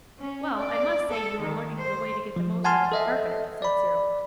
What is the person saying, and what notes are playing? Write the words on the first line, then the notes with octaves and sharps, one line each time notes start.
'Well, I must say you are learning the way to get the most out of the carpet,' said Cyril.
C#4
D5
A4
D#3
C5
F3
F#5 G#5 A5 C6 F6
A4 D#5 E5
D5 B5